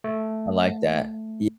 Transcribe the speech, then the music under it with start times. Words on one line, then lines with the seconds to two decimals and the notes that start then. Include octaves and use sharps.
I like that, yeah.
0.04 A3